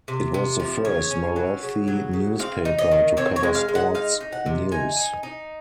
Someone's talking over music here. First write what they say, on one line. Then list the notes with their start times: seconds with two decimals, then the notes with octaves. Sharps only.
It was the first Marathi newspaper to cover Sports news.
0.08 C3
0.34 C3
0.60 F3
0.85 C#3 C#5
1.11 C#4
1.36 F#3
1.63 C#3
1.88 F#3
2.13 C#3
2.40 C4 F5
2.65 D#4
2.79 D#5
2.91 D#3
3.17 C4 C#5
3.36 C#5
3.43 G#3
3.55 F5
3.68 G#3
3.75 F#5
3.95 D#4 F5
4.21 D#4
4.33 F#5
4.46 C3
4.72 D#4 G#5
4.97 D#4
5.23 D#4